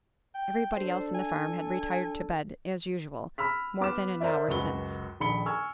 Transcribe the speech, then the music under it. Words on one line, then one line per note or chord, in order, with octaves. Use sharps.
Everybody else in the farm had retired to bed, as usual, more than an hour since.
G5
D4 A4 C5
G#5
B5 E6 F6 B6
B3 D6 F6 E7
A#4 C5 D5 E5
C#2 F#2 F#4 B4 G7
D#1 A#1 D#4 B5 C#7 G7
G#5 C#6 E6 F6 G#6